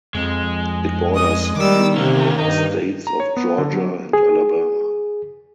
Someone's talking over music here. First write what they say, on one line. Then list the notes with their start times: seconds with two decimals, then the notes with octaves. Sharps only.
It borders the states of Georgia and Alabama.
0.15 F2 G#3
1.14 D#5 D#6
1.56 D#3 G3 D6 E6
1.96 D2 C3 A#3 C4 C#4
2.39 G2 D#4
3.07 A#5
3.20 C#5
3.37 B3
3.58 D3
3.73 F#3
4.13 G#4